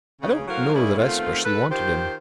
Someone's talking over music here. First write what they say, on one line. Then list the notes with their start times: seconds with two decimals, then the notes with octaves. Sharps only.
I don't know that I specially wanted him.
0.22 C#3
0.48 A2 F#3 F#4 A#4 C5 F5
0.74 D3 G3 A#3 E4 G#4 C#5
0.98 D#3 A3 B3 C4 F4
1.45 A4 B4
1.70 D#3 F4 G4 C5